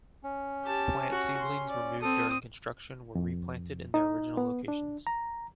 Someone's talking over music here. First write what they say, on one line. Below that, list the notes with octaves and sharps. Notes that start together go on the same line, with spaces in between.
Plant seedlings removed during construction were re-planted in their original locations.
C#4
G4 A5
F#4
C6
D5
C4 A4 D#6
F2
D#4
B3
D4
A#5